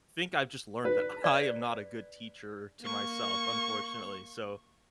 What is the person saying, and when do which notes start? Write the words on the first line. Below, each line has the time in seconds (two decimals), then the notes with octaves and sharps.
think I've just learned that I am not a good teacher to myself, unfortunately, so,
0.85 B4
1.24 D5
2.81 A#3 C#6